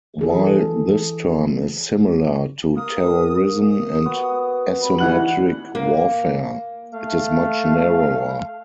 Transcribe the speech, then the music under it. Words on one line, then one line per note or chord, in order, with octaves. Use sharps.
While this term is similar to terrorism and asymmetric warfare, it is much narrower.
E3 G#4 A4
A#3 D#6
D#6
B3 F#4
C3 D4 B5
E3 F#5 F#6 F#7
A#3
A3 F5